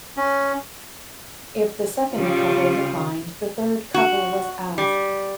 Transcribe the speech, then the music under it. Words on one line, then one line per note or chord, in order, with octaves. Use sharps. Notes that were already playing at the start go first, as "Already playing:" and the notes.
If the second couple declined, the third couple was asked.
C#4
C#3 G3 F4
F#4
G3